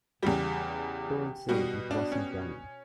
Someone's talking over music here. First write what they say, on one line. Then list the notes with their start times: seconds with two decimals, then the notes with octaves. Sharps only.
Don't say it wasn't done!
0.23 E2 C#3 G3 G4
1.49 B2 G3 F#4
1.91 D4
2.12 C#4